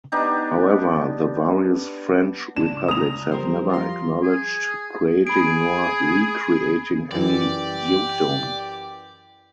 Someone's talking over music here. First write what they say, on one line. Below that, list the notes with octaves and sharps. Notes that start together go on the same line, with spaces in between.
However, the various French Republics have never acknowledged creating nor re-creating any dukedom.
B3 D4 D#4 G4
C#2 D4 E7
A#5 D#6 F7
F2 G3 A#4 C5
F4 A#5 C6
G#4
G#4 B5 D7
F#2 E3 G4 D5